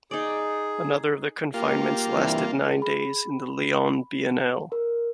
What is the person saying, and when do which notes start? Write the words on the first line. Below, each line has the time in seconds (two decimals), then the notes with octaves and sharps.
Another of the confinements lasted nine days in the Lyon Biennale.
0.11 D#4 G#4 D5
1.54 G#1 A#3 F4 G4
2.13 G2 C3 E3
2.67 G#4
2.82 B5
4.72 A#4